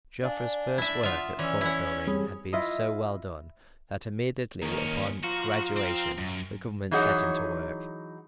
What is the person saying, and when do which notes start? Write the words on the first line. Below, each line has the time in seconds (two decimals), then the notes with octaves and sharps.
Joffre's first work at fort building had been so well done that immediately upon graduation the government set him to work.
0.23 D4 D5 F5 G#5
0.78 E4 E5
1.03 F4 E5 F#5 D#6 F6
1.39 E3 C#4 D5 E6
1.61 E4 F#5
2.07 G3 C4 G#4 C#5 B5 D#6
2.53 E4 F4 D#5
4.62 D#2 D#3 A#3 C#4
5.24 F3 F4 F#4 A#5
5.77 C4
6.18 F#2
6.91 E3 F#3 D#4 G#4 C#5 F#5